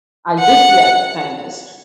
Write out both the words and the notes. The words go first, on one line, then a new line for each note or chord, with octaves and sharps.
I did the act of kindness.
F#5